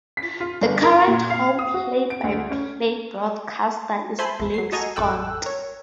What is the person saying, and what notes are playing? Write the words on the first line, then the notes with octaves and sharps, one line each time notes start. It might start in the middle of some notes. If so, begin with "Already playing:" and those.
The current home play-by-play broadcaster is Blake Scott.
B6
F4
G1
A#4
A#2
F5
D#6
F#4
D7
D2
C#4
C5 E5 G#5 A5 B5 C6
A1 E2
F#3 C7
F#4 A4 D#5 G#5 A#5 C#6
A1 F2 A4 G5 E6 F#6
A#4 C#5